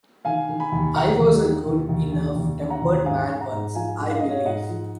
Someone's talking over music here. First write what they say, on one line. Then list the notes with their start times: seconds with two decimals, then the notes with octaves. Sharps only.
I was a good-enough-tempered man once, I believe.
0.25 D#3 F5 G#5
0.49 D#3
0.60 G#5 B5
0.72 D#2
0.95 D#2 F#5 A#5
1.19 D#2
1.42 D#3
1.66 D#2
1.89 D#2
2.12 D#2
2.36 D#2
2.58 D#3
2.70 F#5 A#5
2.82 D#2
3.05 G#2 F5 G#5
3.29 G#2
3.40 F#5 A#5
3.52 G#2
3.75 F3 F5 G#5
3.99 G#2
4.10 F5
4.20 G#2 D#5
4.30 C#5 F5
4.45 G#2 D#5 F#5
4.69 F3